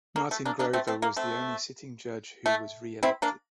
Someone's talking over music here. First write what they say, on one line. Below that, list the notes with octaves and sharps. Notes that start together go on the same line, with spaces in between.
Martin Grover was the only sitting judge who was re-elected.
A#3
A3
A#3 D4
A#3 D4
A3 C4
A3 C4
A#3
A3 C4
A3
C4 E4
A#3 D4